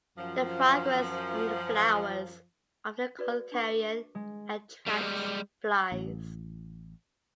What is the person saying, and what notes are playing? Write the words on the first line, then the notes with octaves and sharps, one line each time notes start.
The fragrance from the flowers, often called "carrion", attracts flies.
F#2 F3
F#4 B4 D5
D4 C#6 D6
G#3
G3 G#3
A1